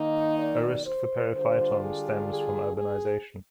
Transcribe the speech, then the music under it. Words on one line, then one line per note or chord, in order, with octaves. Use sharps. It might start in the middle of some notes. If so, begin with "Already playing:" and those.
A risk for periphyton stems from urbanization.
Already playing: D#3 A#3 D#4 D#5
D5
C5
D3 G3 D4 F4 C5
G#4
G#4
G#4